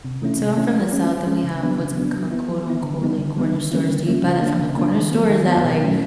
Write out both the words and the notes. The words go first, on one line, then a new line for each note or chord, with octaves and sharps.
So I'm from the south and we have what's called quote unquote, like "corner stores." Do you buy that from the corner store? Or is that, like,
C3
E3 A3 C#4 E4
C3
E3 A3 C#4 E4
F3
G#3 C#4
F3
G#3 C#4
C#3
F#3 B3 D4
C#3
F#3 B3 D4
F#3
B3 E4
F#3
B3 E4
D3
G3 B3 D#4
D3
G3 B3 D#4
D3
G3 A#3 C#4 E4
D3
G3 A#3 C#4 E4
C#3
F3 A#3 D4
C#3
F3 A#3 D4
D#3
F#3 B3
D#3
F#3 B3
B2
F#3 A3 C#4 E4